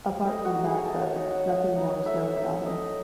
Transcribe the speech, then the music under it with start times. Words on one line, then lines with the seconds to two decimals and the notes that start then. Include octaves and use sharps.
Apart from that, though, nothing more is known about him.
0.24 A3 D#5
0.45 F#4
0.55 D#4
0.65 G#4
0.85 A3 A4
1.00 C#5
1.16 D#4 D#5
1.31 F#5
1.45 A3 E5
1.76 D#4
1.90 C#5
2.06 A3 E5
2.36 D#4 E5
2.66 A3 D#5